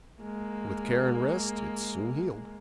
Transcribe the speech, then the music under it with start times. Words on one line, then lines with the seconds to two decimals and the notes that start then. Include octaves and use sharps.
With care and rest, it soon healed.
0.21 G#3 A#3